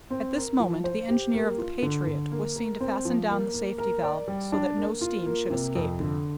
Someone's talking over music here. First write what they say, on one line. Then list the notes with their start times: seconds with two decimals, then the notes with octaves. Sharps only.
At this moment the engineer of the Patriot was seen to fasten down the safety-valve, so that no steam should escape.
0.10 C4
0.35 A#4
0.60 F3
0.84 C5
1.09 G4
1.34 A#3
1.58 F4
1.82 D3
2.07 D3
2.32 A#3
2.56 A#4
2.80 C4
3.05 F3
3.30 A#3
3.54 A#3
3.78 A#4
4.03 D5
4.28 G3
4.52 D4
4.77 A#3
5.01 F4
5.26 A#3
5.50 C3
5.75 F2
6.00 D3